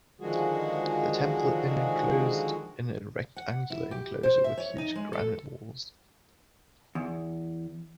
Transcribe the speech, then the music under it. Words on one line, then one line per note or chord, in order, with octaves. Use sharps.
The temple in enclosed in a rectangular enclosure with huge granite walls.
D3 D#3 F3 G#3 F#4 G#4
F#5
E4
G4
C5
E5
C#5
D#4
G#3
A4
E2